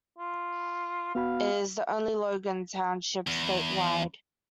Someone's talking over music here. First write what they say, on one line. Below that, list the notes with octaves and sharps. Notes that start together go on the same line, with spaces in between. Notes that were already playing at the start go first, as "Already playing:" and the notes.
It is the only Logan Township statewide.
F4
B3 F#4 F5 B5
E2